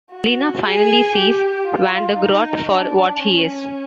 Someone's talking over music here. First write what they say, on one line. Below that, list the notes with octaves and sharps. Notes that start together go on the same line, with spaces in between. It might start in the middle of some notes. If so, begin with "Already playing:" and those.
Lina finally sees Vandergroat for what he is.
F#4
G#4
G4
F4
D#4
D4
C#4